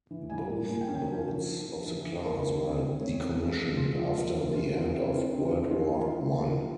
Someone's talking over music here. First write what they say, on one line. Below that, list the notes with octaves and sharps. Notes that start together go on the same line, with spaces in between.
Both boats of the class were decommissioned after the end of World War I.
E3
G3 G#5
A#3
A#2 G#5
G5
C#4
G5
F3 A#4
C#4
F3
F3
E3
E3
A#3 A#4
C#4
C4
C4
C4 C#5
C4
G#3
F3
G#3 F4
F3
A#3
E3
E3 F4
C#4
C4
E4
C4 F4
C4
F3
C#4 F4
E3
E3
A#3
F3